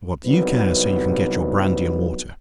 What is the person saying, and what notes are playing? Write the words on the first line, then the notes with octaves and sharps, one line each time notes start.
But what do you care so you can get your brandy-and-water?
C2 C3 F#3 B3 D#4 B4